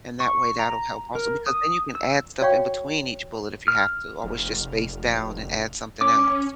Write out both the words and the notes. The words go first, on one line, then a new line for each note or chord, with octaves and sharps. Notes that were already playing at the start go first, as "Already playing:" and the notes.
And that way, that'll help also because then you can add stuff in between each bullet if you have to always just space down and add something else.
C#6
A#5
A#4
D#6
E6
F#4 C#5 D5 F5 G5 C#6
F6
F1
C#4 D6